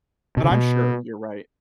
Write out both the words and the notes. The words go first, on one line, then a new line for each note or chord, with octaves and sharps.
but I'm sure you're right.
B2
C#3
B2